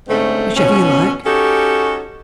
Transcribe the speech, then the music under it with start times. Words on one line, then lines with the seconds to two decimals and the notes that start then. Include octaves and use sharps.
"Whichever you like."
0.09 G#2 D3 A3 C4 C#4
0.56 B2 F3 C#4
1.25 C#4 D#4 F#4 G4 A4